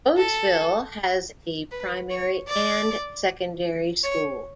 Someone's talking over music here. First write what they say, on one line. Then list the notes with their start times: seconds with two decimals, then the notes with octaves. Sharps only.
Bosvil has a primary and secondary school.
0.16 A4
1.71 B4
2.10 C#5
2.48 D5
4.03 C#5